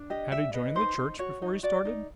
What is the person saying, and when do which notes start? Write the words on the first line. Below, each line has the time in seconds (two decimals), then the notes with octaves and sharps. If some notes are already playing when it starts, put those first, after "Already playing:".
Had he joined the church before he started?
Already playing: D4
0.10 G4 D#5
0.31 D4 E5
0.54 B4 D#5
0.75 D#4 C5
0.98 D#4
1.19 F#4 C#5
1.42 D#4
1.63 F#4 D5
1.85 D#4